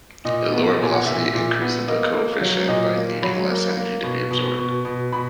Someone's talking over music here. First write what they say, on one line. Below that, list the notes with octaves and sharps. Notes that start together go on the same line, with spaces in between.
A lower velocity increases the coefficient by needing less energy to be absorbed.
A#2 D#5
B3
A#2 G#5
F#5
A#2 E5
A#2
B3
A#3 D#5
A#3
F#3
A#2 D#5
A#3
F#3 B5
A#3
A#3
B2
B2
B2
B2
B2 B5